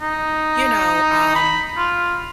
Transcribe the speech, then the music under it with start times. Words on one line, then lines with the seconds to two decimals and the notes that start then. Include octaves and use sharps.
you know, um,
0.01 D#4
1.35 B5
1.77 F4